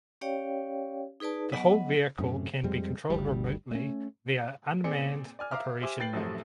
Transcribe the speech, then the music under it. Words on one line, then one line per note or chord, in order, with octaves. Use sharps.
The whole vehicle can be controlled remotely via unmanned operation mode.
C#4 G4 C#5 D5 F5 G5
D#4 G#4 B4 D5 A5
F#3 B3 D#5 F#5
F#2 A2 C3 C#4
F2 G3 G#3 C4
G1 D2 G3
A3 C#4
A#2 C4 G#4 D5 C#7
D5 G#5 F6
E5 F5 A#5 D6 F6
G4 C5 E5 G#5 D6
A2 B4 G5 A6 C7 F#7
A1 F#2 C3 F3 F#3 A3